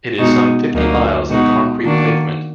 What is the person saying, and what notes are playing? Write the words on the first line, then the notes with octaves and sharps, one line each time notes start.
It is some fifty miles of concrete pavement.
B2 G#3 D#4 F#4
D2 D3 F#3 A#3 D#4
B2 G#3 D#4 F#4
D#3 A#3 D4 F#4